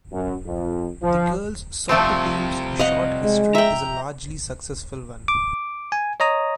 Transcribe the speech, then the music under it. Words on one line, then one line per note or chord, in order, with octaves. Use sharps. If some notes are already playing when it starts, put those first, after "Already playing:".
The girls soccer team's short history is a largely successful one.
F#2
F2
F3
C3 F3 G3 A3 C4
D#5 F5 F#5
G#3
E5 G5 A#5
D6
G#5
C#5 D#5 A#5 D#6